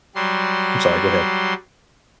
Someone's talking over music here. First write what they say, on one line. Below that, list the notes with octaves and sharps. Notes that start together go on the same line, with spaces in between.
I'm sorry, go ahead.
F#3 G3 C6